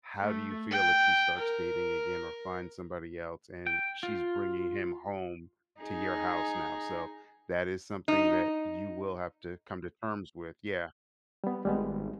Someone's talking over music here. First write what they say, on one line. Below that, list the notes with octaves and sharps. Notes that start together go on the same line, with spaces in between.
how do you feel if she starts dating again or find somebody else and she's bringing him home to your house now, so, that is something that you will have to come to terms with, yeah.
A3
G5
A#4
G5
F4
D#4 G#4
D#4
G3 B3
G#1 G3 G#3 B3